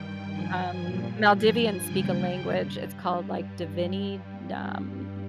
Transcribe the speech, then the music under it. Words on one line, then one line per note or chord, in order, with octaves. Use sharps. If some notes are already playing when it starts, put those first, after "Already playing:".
Um, Maldivians speak a language, it's called, like, Dhivehi, d um
Already playing: G2 D#3 G3 G5
G2 F3 G#5
A#2 G3
G2 F3 G#5
D#2 C#3 G3 G5
G2 G3